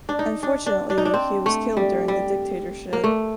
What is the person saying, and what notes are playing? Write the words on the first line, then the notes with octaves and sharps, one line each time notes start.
Unfortunately, he was killed during the dictatorship.
D4
D#4
D4
D4
D4
D#4
D4
C4
A3
G3
G3
A#3
A3